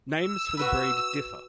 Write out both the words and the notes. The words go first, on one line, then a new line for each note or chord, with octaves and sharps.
Names for the breed differ.
E6
F#4 B4 B5